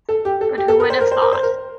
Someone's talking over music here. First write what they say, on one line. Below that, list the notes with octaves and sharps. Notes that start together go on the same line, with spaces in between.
But who would have thought?
A4
G4
A4
G4
A4
A#4
C5
A#4
C5
A#4
C5
A#4